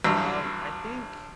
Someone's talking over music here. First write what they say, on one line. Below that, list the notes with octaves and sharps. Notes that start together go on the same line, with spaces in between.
Um, I think
A1 G2 F#3 E6